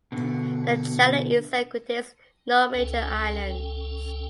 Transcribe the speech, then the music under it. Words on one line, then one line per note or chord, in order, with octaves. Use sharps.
The channel itself contains no major islands.
B2 D3
C#2 C#4 A4 G5